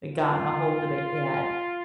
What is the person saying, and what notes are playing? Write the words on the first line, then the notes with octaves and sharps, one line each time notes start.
gotten ahold of it yet."
F4